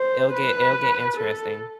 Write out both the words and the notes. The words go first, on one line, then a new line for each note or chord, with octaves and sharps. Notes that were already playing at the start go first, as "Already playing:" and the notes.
it'll get it'll get interesting.
Already playing: C5
B4
A4